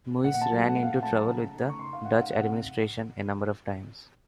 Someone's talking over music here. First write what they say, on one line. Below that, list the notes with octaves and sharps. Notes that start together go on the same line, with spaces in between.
Muis ran into trouble with the Dutch administration a number of times.
A#2 F#5
F#5
A5
F#3 A3 C#4
F#5
A#2 F#5
F5
F#5
F#3 A3 C#4 A5
A#5
C#3
A3 D#4
C#6
C#3 C6
F5
A3 D#4 F#5
F5
C3 F#5